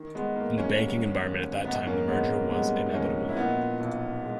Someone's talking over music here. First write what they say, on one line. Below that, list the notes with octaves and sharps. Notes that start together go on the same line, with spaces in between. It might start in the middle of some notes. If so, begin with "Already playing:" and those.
In the banking environment at that time the merger was inevitable.
Already playing: D#3
G#3 B3
D#2 A#3
A#3 C#4
G3
D#2
G#2 B3 D#4
A#3 C#4
A#1 G#3 B3
A#3
G3 G#3 B3
D#4
A#1 A#3 C#4
E4
A#2 B3 D#4
B1
G#3